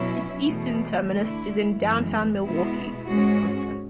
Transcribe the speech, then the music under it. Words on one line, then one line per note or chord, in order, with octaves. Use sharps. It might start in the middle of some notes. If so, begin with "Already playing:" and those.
Its eastern terminus is in downtown Milwaukee, Wisconsin.
Already playing: B2 F#3 C#4 E4
E2 B2 A3
D3 A3 E4
F#2 E3 G#3 B3
B2 G#3 B3 E4
G#2 G#3 C#4 F#4